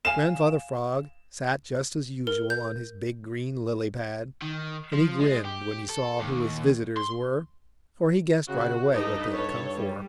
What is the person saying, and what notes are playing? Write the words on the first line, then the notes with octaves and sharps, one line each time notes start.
Grandfather Frog sat just as usual on his big green lily-pad, and he grinned when he saw who his visitors were, for he guessed right away what they had come for.
F5 G#5 E7
A#4
G6
D#3
F3
G#3
G4
A4
D#2
C6
C#3 F#4
G2 D#4 G4 A4 B4
A4 C#5
G3